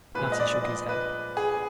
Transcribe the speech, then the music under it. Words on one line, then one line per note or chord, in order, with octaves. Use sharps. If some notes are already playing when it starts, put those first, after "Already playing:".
Natty shook his head.
A#2 F3 G#3 B4
D#5
D5
D#5
B4
G#4